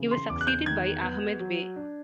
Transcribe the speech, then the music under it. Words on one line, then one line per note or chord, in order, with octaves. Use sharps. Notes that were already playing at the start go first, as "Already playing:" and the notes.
He was succeeded by Ahmed Bey.
Already playing: C#3 E3
C6
E2 D6
F#6
G6
D#3 G#6
B3
F#3
D4